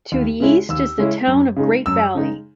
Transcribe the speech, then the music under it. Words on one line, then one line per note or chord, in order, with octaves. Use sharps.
To the east is the town of Great Valley.
D#2
C#3 G#3 C#4 E4
D#2 E6
C#3 G#3 C#4 E4
F#2
C#3 G#3 D#4
F#2 E6
C#3 G#3 D#4